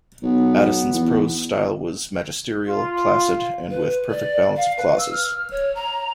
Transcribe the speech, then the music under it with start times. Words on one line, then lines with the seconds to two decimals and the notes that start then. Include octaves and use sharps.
Addison's prose style was magisterial, placid, and with perfect balance of clauses.
0.22 B1 B3
0.93 E2
2.67 F4
3.71 B4
4.10 D5
4.57 F5
4.77 B4
4.98 E6
5.12 F6
5.51 C#5
5.75 A#5